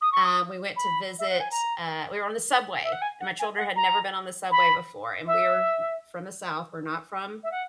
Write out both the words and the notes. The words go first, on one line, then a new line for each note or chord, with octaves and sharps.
Um, we went to visit, uh, we were on the subway, and my children had never been on the subway before, and we're from the South, we're not from,
D#6
C#6
D#6
B5
E5
F#5
G#5
A#5
E5
F#5
G#5
F#5
G#5
F#5
A#5
B5
E5
E5
F#5